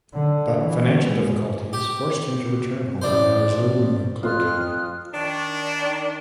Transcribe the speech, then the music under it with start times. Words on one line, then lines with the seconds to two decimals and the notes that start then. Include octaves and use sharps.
But financial difficulties forced him to return home and resume clerking.
0.14 D3
0.57 E3
0.98 G#3
1.73 G4
3.02 A1 D4 C5
4.23 F2 F4 D#6 F6 F#6
5.13 D#3 D4